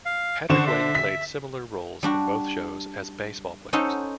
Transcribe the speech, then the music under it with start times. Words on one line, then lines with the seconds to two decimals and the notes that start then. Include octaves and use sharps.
Patrick Wayne played similar roles in both shows as baseball players.
0.05 F5
0.49 D3 C5 F#5 C#6 E7
0.67 E5
0.95 B6
2.03 G3 D4 F#4
3.73 C#4 D#4 A4 C5 F#5